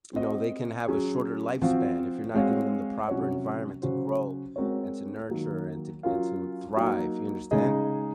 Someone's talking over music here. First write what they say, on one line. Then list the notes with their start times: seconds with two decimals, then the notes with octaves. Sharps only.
you know, they can have a shorter lifespan if you're not giving them the proper environment to grow, and to nurture, and to c and to thrive, you understand?
0.13 C4 F#4 C5 D#5
0.88 F#3 C#4 G#4
1.62 F3 C4 F#4 C5 F5
2.35 G#3 C4 F#4 C#5 F5
3.08 C3 F#3 C#4 F#4 C#5
3.82 C#3 F#3 C#4 F#4 C5
4.56 G#3 C4 F#4 A#4 C#5
5.30 D#3 F#3 A#3
6.03 F#3 C#4 F4 A#4 F5
6.77 F#3 A#3 D#4 F#4
7.51 C#3 G#3 D#4 G#4 D#5